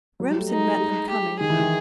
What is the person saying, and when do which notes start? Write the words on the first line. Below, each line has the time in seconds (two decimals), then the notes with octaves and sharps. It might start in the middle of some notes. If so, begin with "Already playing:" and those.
Remsen met them coming.
0.20 F#3
0.29 G3
0.39 A3
0.50 D#4
0.80 G#3
1.10 G4
1.40 D#3 G#4
1.50 E3
1.59 D#3